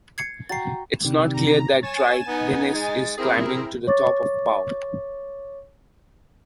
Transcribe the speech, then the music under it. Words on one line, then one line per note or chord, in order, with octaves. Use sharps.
It's not clear that Traidenis is climbing to the top of power.
G#6 C7 C#7
F#4 G5 A#5 A6 C7
C3 D#3 G3
A#5
C#5 G#5 A6 E7
B3 D#4 G#5
G#3
C4 E4 G#4 A#4
C#5 C#6 D6 A6